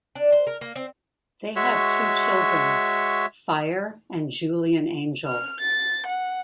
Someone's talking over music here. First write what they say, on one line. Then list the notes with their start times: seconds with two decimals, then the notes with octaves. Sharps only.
They have two children, Fire and Julian Angel.
0.15 D4
0.32 C5
0.47 A#4
0.61 A#3
0.76 C4
1.56 G#3 F#4 C#5 E5
5.27 F6
5.61 A6
6.07 F#5